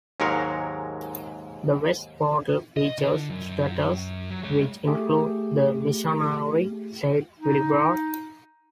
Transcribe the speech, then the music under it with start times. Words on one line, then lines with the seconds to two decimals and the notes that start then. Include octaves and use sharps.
The west portal features statues which include the missionary Saint Willibrord.
0.20 D#2 G#2 F#3 G#3 A#4 C#5
2.77 D#5
2.98 D3
3.30 F#2
4.30 F#3
4.43 G#3 C#5
4.87 A3 G4 G#4
7.39 D#4